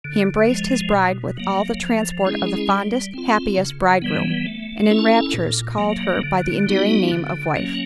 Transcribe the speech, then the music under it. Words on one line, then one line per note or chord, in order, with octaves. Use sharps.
He embraced his bride with all the transport of the fondest, happiest bridegroom, and in raptures called her by the endearing name of "wife."
D3
F3 G#3
B2
F#3 A#3
F3
G#3 C#4 E4 G#4
G3
C4 F4
C#3
E3 G3 B3
A3
C#4 E4 A4
A#2
F#3 A#3
D3
G3 B3 D#4 F#4
D3
F#3 A#3 C#4